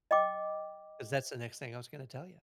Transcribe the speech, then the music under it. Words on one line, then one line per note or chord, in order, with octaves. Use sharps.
'cause that's the next thing I was gonna tell ya.
D#5 G5 D6